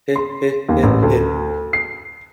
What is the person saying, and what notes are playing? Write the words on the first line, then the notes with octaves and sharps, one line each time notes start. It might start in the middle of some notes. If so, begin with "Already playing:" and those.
Heh heh heh heh!
C6
D#2
A1
D2
C7